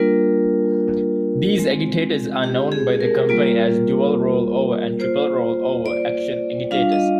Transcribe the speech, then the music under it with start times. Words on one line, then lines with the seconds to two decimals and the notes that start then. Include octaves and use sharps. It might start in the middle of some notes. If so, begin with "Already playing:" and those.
These agitators are known by the company as dual-rollover and triple-rollover action agitators.
Already playing: G3 A#3 D4 F4 A#4
1.58 G#3 C4 F4
2.44 G4
2.72 G#4
3.01 A#4
3.29 G3 A#3 F4
4.99 A#3 F4 C5
5.86 D5
6.71 G3 D4 F4 F5
6.92 D#5